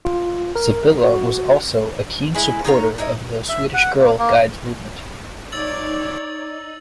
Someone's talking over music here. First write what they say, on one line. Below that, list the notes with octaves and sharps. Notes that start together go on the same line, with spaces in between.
Sibylla was also a keen supporter of the Swedish Girl Guides movement.
F4
A#4
F#4
G#3 E4
D#4 F4 C#5 A#5
D#4 E4 D#5
E5
F#5
A#3
A#3
D#4 C#5 D5 E6 A6 F#7